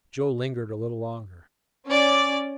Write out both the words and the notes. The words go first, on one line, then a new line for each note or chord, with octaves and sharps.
Joe lingered a little longer.
C#4 D5